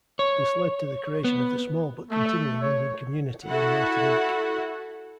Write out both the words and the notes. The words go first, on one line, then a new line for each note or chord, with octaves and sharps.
This led to the creation of the small but continuing Indian community in Martinique.
C#5
B3
A3
C#5
E4 F#4 A4 F#5